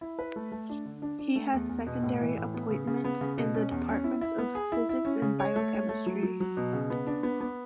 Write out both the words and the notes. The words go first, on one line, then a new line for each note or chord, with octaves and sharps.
He has secondary appointments in the departments of Physics and Biochemistry.
E4
B4
A3
A3
D4
D3
D4
D4
A3
E2
E2
B2
A2
E3
A2
B3
C#3
C#3
B3
C#3
B2
C#4
E2
C#4
E4
E4
B3
G#4
E4
E4
C#4
C#3
C#5
A3
C#5
A3
F#3
F#3
F#3
B2
C#3
B3
D4
B3
B3